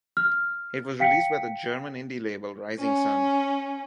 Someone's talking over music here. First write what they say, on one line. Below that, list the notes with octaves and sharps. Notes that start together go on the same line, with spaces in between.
It was released by the German indie label Rising Sun.
F6
F5 G5 B6 C#7
C#4